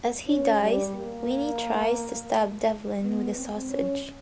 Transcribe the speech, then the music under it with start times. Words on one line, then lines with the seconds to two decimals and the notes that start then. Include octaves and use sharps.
As he dies, Weenie tries to stab Devlin with a sausage.
0.27 C#4
0.61 G3
0.95 A#3
3.02 B3
3.35 C4
3.70 C#4